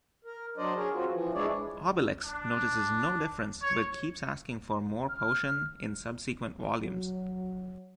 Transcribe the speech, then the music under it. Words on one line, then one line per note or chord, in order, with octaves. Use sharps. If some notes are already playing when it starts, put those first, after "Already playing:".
Obelix notices no difference, but keeps asking for more potion in subsequent volumes.
A#4
F#3 D4 C5 D5 D#5
G#4 A#4 C#5
C4 F4 F#4
E3 F3
G#3 D4 E4 G#4 C#5 D5
D4
C#5
F6
F#3